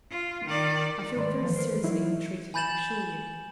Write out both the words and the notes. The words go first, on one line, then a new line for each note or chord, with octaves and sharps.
I feel very seriously ill-treated, I assure you.
F4
D#3 D5
G#2 D#3 A3 B4 D5 C6
E3 F3 A#3
A#4 C5
E3 F#3 D#4 E4
G#5 B5 G6 A6 E7 F#7